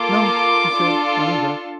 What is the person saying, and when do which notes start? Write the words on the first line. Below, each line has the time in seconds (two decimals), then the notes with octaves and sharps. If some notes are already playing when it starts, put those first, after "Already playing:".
"No," she said, running back.
Already playing: A#3 F4 A4 D6
0.75 D4 F4 A4